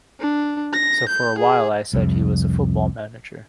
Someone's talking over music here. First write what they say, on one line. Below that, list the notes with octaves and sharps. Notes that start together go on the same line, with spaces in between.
So for a while I said he was a football manager.
D4
A#6
G6
G#4
C2 F2